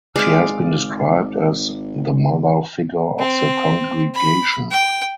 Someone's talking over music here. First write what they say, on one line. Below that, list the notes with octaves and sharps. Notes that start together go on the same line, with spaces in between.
She has been described as "the mother figure of the congregation".
G#1 G#3 D5 F5
C4
B5
G5